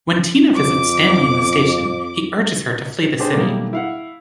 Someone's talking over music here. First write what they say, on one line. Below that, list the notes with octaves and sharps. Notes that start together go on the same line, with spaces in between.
When Tina visits Stanley in the station, he urges her to flee the city.
F2 D6
D4 G4 G#4 C5
B2 D#3 F#3 G3 A3 A#3
E4 F5 F#5